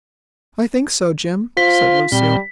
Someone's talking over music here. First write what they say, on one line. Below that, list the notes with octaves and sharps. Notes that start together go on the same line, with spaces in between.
"I think so, Jim," said Lucille.
F4 C5 B6
A#2 G3 C4